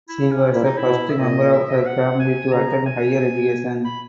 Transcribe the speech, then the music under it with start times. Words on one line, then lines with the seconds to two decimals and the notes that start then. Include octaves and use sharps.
She was the first member of her family to attend higher education.
0.09 E4
0.21 C#3
0.31 C#4
0.53 A#2 E4
0.65 D#4
0.77 E4
0.87 B2
1.11 E5
1.19 A#2 D#5
1.53 E5
1.69 D#5
1.78 E5
1.86 F#5
2.19 G#5
2.47 G#5
2.52 C#3 A#5
2.86 G#5
3.85 B5